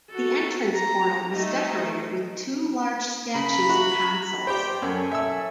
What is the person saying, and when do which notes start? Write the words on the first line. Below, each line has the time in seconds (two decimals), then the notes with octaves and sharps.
The entrance portal was decorated with two large statues of consuls.
0.10 F#4 A4
0.74 A#5
1.32 A3 D#4
3.34 C#3 A#5 B5
3.69 F#4
4.47 G4 C5 D5 G5
4.82 F#2 A4 C#5 G#5
5.12 E5 E6